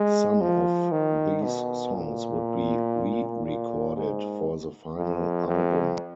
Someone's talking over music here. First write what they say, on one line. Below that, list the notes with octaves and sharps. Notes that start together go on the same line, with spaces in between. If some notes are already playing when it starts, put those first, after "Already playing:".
Some of these songs would be re-recorded for the final album.
Already playing: G#3
F3
D#3
B2
A#2
A#2
G#2
F2
F2